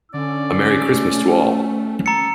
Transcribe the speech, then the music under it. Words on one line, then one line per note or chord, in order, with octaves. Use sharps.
A Merry Christmas to all!
D3 C#4 D5
A3
A4 A#5 C#7